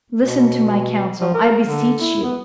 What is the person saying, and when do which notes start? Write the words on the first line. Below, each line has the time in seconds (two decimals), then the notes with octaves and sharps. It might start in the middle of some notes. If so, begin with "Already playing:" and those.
Listen to my counsel, I beseech you.
0.23 B2
1.20 F3
1.34 A#4
1.65 D3
2.01 E4
2.23 B3